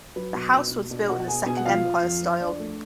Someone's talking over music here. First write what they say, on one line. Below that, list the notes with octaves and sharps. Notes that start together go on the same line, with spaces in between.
The house was built in the Second Empire style.
F#3 B4
B2
B2
B2
B2 D4 D5
B2 F#4 F#5
F#5
B3 G#4 G#5
B2 G#4 G#5
F#5
F3 F4 F5
F3
F2
F3
F2 D4 D5
A3